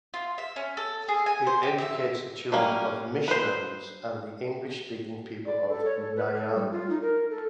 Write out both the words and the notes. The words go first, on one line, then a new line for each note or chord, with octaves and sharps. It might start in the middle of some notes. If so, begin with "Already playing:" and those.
It educates the children of missionaries and the English speaking people of Niamey.
F4
E5
C#4
A4
G#4
G#5
C5
G4
E5
F#3 G3 A#3 C#4
B4 C5
D5
A4
C#5
A4
B4
A4
G3
F4
D#4
A#4
A4